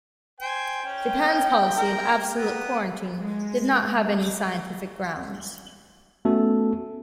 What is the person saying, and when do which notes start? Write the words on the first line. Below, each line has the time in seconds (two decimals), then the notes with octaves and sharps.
Japan's policy of absolute quarantine... did not have any scientific grounds.
0.40 C5 G5 G#5
0.85 C#4 G5
1.76 A#4
2.33 B3
3.19 G#3
6.25 A3 B3 C#4 F#4 A4